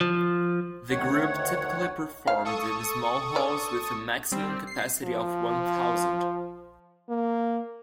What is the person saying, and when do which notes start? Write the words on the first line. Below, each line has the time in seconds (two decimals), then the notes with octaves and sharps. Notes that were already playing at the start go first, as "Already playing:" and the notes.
The group typically performed in small halls with a maximum capacity of one thousand.
0.01 F3
0.90 D2 D#3 C#5 F#5
2.27 F5
2.45 A4 C#6 D#6
3.36 D5
4.32 G3 C4
4.67 C7
5.04 F3
7.09 A#3